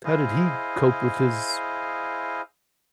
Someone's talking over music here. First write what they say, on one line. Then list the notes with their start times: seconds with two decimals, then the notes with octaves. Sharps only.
how did he cope with his
0.05 E4 G#4 C5 D#5 F5